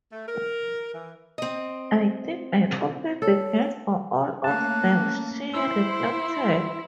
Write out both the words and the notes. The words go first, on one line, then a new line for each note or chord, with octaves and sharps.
"I think I opened the gate for all of them," she reflected.
A3
A#4
E3
C4 D#5
A4 C#5
A3 A#3 C#4 A5 F#6
E4 C5 C6 E6